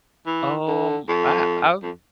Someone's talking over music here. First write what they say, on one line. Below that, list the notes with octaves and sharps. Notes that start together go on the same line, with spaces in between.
Um, I I
E3
D3
F2
F2